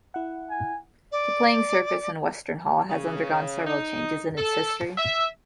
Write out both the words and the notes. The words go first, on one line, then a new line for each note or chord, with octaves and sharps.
The playing surface in Western Hall has undergone several changes in its history.
E4 F#5
G#5
D5
C#3
D#4
A4
E5